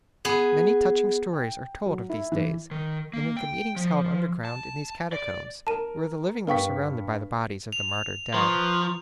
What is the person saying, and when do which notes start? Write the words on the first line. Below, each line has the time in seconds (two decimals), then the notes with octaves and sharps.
Many touching stories are told of these days; and of the meetings held underground in these Catacombs, where the living were surrounded by the bodies of the martyred dead.
0.25 B3 G#4
1.33 G5
1.86 F#3
2.10 E4
2.32 E3
2.71 D#3
3.14 A#3
3.37 G5
3.76 F3
4.45 A5
5.12 D5
5.67 A#4 A5 D#7
6.47 G2 A#4 F5 G5 C#6 B6
7.72 F7
8.34 F3 B4 A#5 C#6 D#6